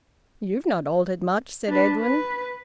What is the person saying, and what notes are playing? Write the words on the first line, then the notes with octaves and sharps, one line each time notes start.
"You've not altered much," said Edwin.
D4 B4
B4